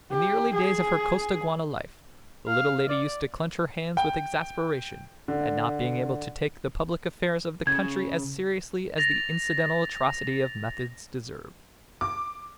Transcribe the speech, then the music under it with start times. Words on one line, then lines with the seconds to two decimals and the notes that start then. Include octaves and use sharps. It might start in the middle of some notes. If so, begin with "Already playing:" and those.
In the early days of her Costaguana life, the little lady used to clench her hands with exasperation at not being able to take the public affairs of the country as seriously as the incidental atrocity of methods deserved.
0.12 G4
0.54 G#4
2.47 F5
2.88 D5
3.97 G5
5.28 D3
7.67 C#3 G#6
8.98 A6 A#6 F7
12.01 D6